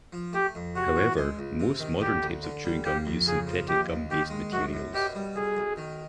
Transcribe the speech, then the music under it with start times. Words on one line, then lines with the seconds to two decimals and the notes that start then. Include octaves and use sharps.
However, most modern types of chewing gum use synthetic gum based materials.
0.13 F3
0.33 A3 G4
0.55 F2
0.75 C3 F#4
0.96 E3
1.17 G#3
1.39 C#2
1.60 C3
1.79 D#3
2.00 D2 G4
2.22 D2
2.43 D3
2.64 G3
2.84 A#3 G4
3.06 F2
3.26 C#3 G#4
3.47 F3
3.68 D#2 G4
3.89 D#2
4.10 D#3 G4
4.30 G#3
4.52 F#2 F#4
4.73 F#2
4.93 B2 G4
5.15 G3
5.35 B1 G#4
5.57 B1
5.77 D#3